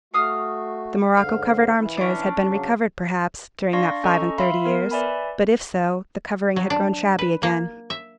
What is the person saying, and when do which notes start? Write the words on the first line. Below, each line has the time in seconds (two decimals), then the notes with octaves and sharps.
The morocco-covered arm-chairs had been re-covered, perhaps, during that five-and-thirty years; but if so, the covering had grown shabby again.
0.14 A3 F#4 F5 D#6 F6
1.17 G#2 D3 F5
1.79 E3 E4
1.97 C#4 D4
2.46 C#3 F#3
3.73 D4 D5 F5 C6 C#6 A#6
4.04 C#4 A4 D#5 A#5 C#6
4.38 E5 F5 B5 C6
4.65 B3 A#4
4.91 B4 D5 E5 G#5 B5
6.56 F#3
6.70 D4
7.19 B4
7.43 A#3
7.90 E5